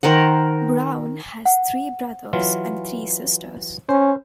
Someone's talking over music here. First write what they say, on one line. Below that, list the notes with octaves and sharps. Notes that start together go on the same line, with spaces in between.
Brown has three brothers and three sisters.
D#3 A#4 C5 F#5
F#5
E3 F#3 F4
C#4 C5